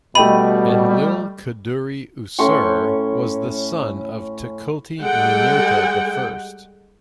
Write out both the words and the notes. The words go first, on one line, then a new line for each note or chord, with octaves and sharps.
Enlil-kudurri-usur was the son of Tukulti-Ninurta the First.
B2 G3 A3 G4 D#5 B5 D#7
A2 C#4 C6 C#6
G3 G#3 A4 F#5 G5